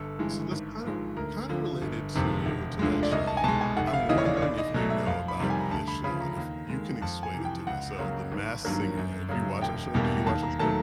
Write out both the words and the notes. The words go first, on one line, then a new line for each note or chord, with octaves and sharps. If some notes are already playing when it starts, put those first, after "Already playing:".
So, this kinda kinda related to to that show, I'm wondering if you know about this show, and if you can explain it to me, so, The Masked Singer, have you watched that show do you watch that show?
Already playing: G1 A4
G2 E3 G#3
G#1
G#2 F3 G#3
D2 A#4
D3 F3
G1
F2 C3 D#3
E1
D2 D3 F3 G#3
D5
C2 D#5
A5
G#5
B2 G#3 A5
G#5
F1 F#5
E5
F5
D#2 C#3 E3 D#5
C#5
D5
C#5
B1 D5
D#5
B2 F#3 A3
E5
F2 F5
B5
C3 D#3 G3
G#5
A#5
D2 A5
B5
C#3 F3 B5
A#5
D#2
D#3 G#3
F2 A5
G#5
C3 E3
G5
C#2 F#5
C#3 F#3 A#3
G#1
G2 D#3 F#3 A#3
F#2
C#3 F#3
E1 G5
E2 B2 G3 A#3
D#2 A5
A#5
D#3 F#3 A3 A5